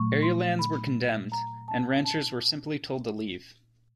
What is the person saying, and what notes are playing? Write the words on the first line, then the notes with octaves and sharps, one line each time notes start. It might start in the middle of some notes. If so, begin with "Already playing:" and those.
Area lands were condemned and ranchers simply told to leave.
Already playing: A#2 F#3 A3 C#6
C6
B5
A#5
A5
A5